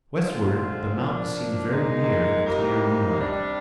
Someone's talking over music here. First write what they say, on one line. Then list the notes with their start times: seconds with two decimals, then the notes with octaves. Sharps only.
Westward, the mountains seemed very near in the clear moonlight.
0.21 D3 G#3 C4 F4
0.95 F3 A#3 D4
1.70 A#2 G#3 D#4
2.44 C3 G3 A#3 D#4
3.19 C3 G3 D4